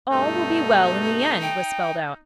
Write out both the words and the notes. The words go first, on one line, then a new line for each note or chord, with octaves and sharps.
"All will be well in the end," was spelled out.
G2 B2 A3 D#4
G5